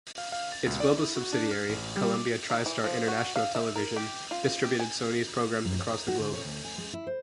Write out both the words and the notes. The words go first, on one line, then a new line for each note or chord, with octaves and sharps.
Its global subsidiary, Columbia TriStar International Television, distributed Sony's programs across the globe.
F5
F5
A6
C#2
D5
E4
F#4
D4
F6
A1
G3
D6
D#3
E3
F3
F#4
F5
E5
A#4
G4
F4
G4
G#5
F#2
C#5
A#4
F#4
D3
C#5
D2
G#5
G#3
E4
C5